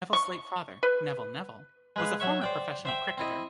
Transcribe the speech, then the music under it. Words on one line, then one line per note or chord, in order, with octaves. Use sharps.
Neville's late father, Neville Neville, was a former professional cricketer.
C#6
B4
G#3 B4 F5
F#3 C#5 E5 C#6
C5 D5 G5
C5 E5 G5
C4 E4 D#5